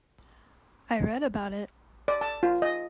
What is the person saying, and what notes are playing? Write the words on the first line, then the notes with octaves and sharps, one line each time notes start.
I read about it.
D5
A5
F4
D#5